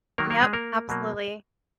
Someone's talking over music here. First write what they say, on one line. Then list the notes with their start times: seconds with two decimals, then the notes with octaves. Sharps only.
Yep, absolutely.
0.18 D#3 F#3 A#3 A#4
0.30 A#3 A#4
0.42 G#3 G#4
0.53 A#3 A#4
0.89 B2 F#3 A#3